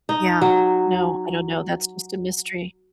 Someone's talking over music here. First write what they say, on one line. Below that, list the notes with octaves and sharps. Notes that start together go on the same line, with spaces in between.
Yeah. No, I don't know, that's just a mystery.
D#4
F#3